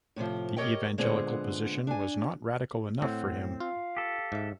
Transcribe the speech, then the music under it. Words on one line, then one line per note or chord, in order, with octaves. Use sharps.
The evangelical position was not radical enough for him.
A2 C3 E3 F3
G4 A#4 C5 C#5 D#5 G5
A#2 D3 G#3 B3 C4
D4 G#5
A2 C4 F#5
F4 F5
G4 A4
G#2 E5